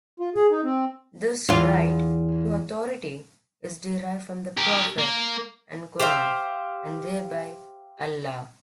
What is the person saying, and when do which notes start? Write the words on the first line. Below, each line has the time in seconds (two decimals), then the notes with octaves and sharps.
This right to authority is derived from the prophet and Quran and thereby Allah.
0.20 F4
0.36 G#4
0.51 D#4
0.64 C4
1.49 E2 F4
4.57 G4 A#4
4.98 A#3
5.99 G4 C5 E5 F5